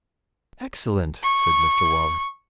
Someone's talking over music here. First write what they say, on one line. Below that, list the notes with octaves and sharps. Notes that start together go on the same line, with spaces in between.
'Excellent,' said Mr Waller.
C#6